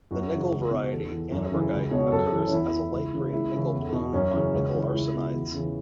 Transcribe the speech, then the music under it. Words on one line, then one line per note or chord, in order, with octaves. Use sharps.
The nickel variety, annabergite, occurs as a light green "nickel bloom" on nickel arsenides.
F#2 F#4
C#3 E3
C#2
B2
E2 A4
E3
F#2
C#3 E3
C#2
B2 C#5
F#2 A4
E3
C#4
E2 E4
E3
C#2
C#3 E3
C#2 E4
C#3 E3
E2
B2
F#2 C#4
C#3 E3
C#2
C#3 E3
C#2 E4
B2
E2
C#3 E3